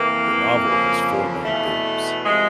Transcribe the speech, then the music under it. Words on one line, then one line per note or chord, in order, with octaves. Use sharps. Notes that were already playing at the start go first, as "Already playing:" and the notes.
The novel has four main themes.
Already playing: F2 C3 E3 A#3
F2 C#3 F3
E2 B2 A3
C3 F3 G#3